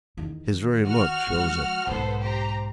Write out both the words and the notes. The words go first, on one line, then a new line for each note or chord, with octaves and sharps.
His very look shows it.
E2 D#3
F#4 F#5 F6
F3 G#3
B1 G#2 B3 A4 C5
G4 C5 A#5